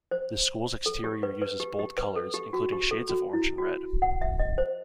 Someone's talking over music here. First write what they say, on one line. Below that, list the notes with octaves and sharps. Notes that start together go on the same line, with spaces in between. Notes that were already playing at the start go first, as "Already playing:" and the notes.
The school's exterior uses bold colors, including shades of orange and red.
C5
A4
G4
B4
B4
G4
G4
B4
A4
G4
F#4
G4
A4
F#4
E4
F#4
F#5
E5
D#5
C5